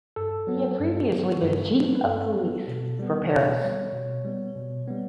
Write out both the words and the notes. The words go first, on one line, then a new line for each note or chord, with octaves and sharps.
He had previously been chief of police for Paris.
G2 A4
F#3 B3
G2
F#3 B3
G2
F#3 B3
B4
G2 A4
F#3 B3
B2
G3 B3
B2 C#5
G3 B3
B2
G3 B3
B2
G3 B3